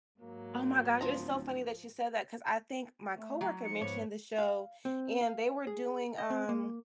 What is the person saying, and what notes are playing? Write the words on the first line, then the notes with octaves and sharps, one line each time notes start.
Oh my gosh, it's so funny that you said that, 'cause I think my co-worker mentioned the show, and they were doing, um
G#2 F#3 A#3
D1 F3 A#5
A3
F#3
F3 D#4 C#7
G#2 B3 B4 C#5
F5
C4
F5
G#4
D#5
C4
A#3